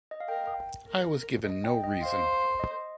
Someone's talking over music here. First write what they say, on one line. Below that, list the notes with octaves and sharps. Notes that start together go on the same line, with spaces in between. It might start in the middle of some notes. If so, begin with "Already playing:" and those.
I was given no reason.
D#5
F5
A#4 G5
A#4
D#5
G5
D#5
C5 F5
D#5